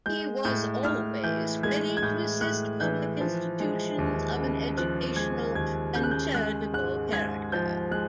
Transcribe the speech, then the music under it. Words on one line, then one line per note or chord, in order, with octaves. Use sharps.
He was always ready to assist public institutions of an educational and charitable character.
G#3 G6
A2 G6
A2 F6
E3 G6
G#3 G#6
G#6
A2 G6
A2 F#6
E3 G6
F3
G#3
D#2
C#3
F3 F#6
G#3 G#6
D#2 G#6
C#3 G6
F#6
G6
G#3 F#6
G#2 F#6
G#2 G#6
F3 G6
G#3 F#6